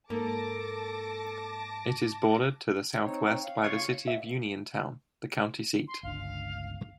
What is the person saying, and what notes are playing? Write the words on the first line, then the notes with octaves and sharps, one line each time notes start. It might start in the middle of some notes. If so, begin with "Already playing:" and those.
It is bordered to the southwest by the city of Uniontown, the county seat.
G#2 A#3 A4 A5 D6 A#6
C4 D#4 C#5
F5
C#3 F4 C#5
E5
C6
G1 C#2 D4 F5